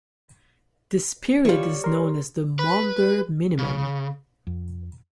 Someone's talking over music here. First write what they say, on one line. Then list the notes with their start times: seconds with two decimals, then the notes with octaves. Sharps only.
This period is known as the Maunder Minimum.
1.45 E3 G3 F4 C#5
1.84 A#4 C6
2.59 B4
3.59 C#3
4.47 F2